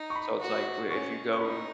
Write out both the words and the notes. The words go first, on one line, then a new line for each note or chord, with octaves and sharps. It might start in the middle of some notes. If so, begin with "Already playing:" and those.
So, it's like, we if you go
Already playing: D#4
C#6
B5
F#4
C#4 C#6
C#6
D#4 B5